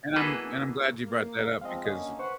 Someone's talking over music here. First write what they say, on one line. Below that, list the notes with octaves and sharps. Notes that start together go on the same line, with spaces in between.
And I'm and I'm glad you brought that up, because i
B2 E3 A#3 G#4 A4 B4
A#3
F3 G#3 C4 D#5 F5
D3 A#3 C#4 D#5
B4 C5 F#5 C#6